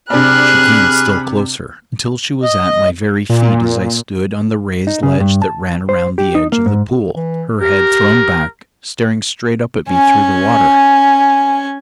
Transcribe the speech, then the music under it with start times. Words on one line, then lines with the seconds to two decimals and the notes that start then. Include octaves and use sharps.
She came still closer, until she was at my very feet as I stood on the raised ledge that ran around the edge of the pool, her head thrown back, staring straight up at me through the water.
0.10 C3 D4 G#4 B5 F6 F#6
2.43 D#5
3.30 A#2
4.87 D#4
5.03 C#3
5.20 G2
5.42 A5
5.89 C5
6.18 G4
6.35 D#4
6.52 A#3
6.66 G#2
7.16 E3
7.61 G4 A#4
9.89 C#4 G#5